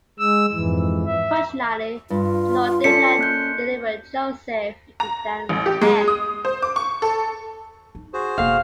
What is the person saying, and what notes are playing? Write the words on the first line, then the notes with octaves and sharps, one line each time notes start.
Fortunately, the Lord did not deliver Joseph into Dan's hands.
G#3 E6
F2 G#2 E3
E5
G2 F4
C#4 A4 D5 A5 B6 C#7
A#3 F#6 G6
A#5
A1
G4
G#3
D#6
C5
D6
C#6
A4
D#4
F#4 G#4 C5
E1 A#3 F5